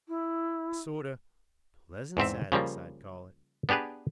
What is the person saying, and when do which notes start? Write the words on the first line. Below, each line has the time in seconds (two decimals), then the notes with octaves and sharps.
A sort o' pleasant sadness I'd call it.
0.08 E4
2.17 E2 G#2 C4 E5
2.52 C#3 F3 G3 A#3
3.69 B3 D4 G4 G#4 B4